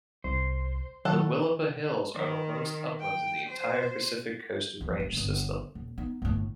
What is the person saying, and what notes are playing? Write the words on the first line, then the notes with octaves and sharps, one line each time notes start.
The Willapa Hills are the lowest uplands in the entire Pacific Coast Range system.
C2 C5
D#3 F#3 A4 F#5
D#3
G5
C5
E2 F3
G3
G1 D3
D#1
B3 D#4
G1 A2